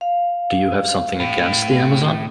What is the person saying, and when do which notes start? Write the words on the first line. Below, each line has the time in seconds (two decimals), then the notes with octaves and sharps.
Do you have something against the Amazon?
0.01 F5
1.20 A2